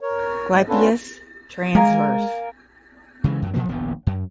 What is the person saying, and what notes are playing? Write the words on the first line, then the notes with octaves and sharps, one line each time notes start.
Clypeus transverse.
A#4 C#5
G#2
B3 C#4 D4 F4 A4 B4
G#3 A#3 A#4 G#5
C#3 E3 G3 G#3
F#2 F#3
A#2 F3 F#3 A#3
D#1 A#1 F2 B3
F#2